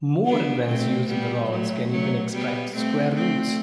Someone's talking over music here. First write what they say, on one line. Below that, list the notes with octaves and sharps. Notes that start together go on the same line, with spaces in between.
More advanced use of the rods can even extract square roots.
B3 D4
A3 C4
G3 B3
F#3 A3
F#3 A3
G3 B3
A3 C4
A3 C4